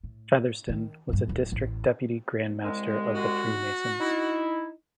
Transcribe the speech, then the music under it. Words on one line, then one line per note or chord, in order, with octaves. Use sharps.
Featherston was a District Deputy Grand Master of the Freemasons.
A2
D#3
B1 G2
D1 G#3
A1
C2 G#3
F#4
D#4 E4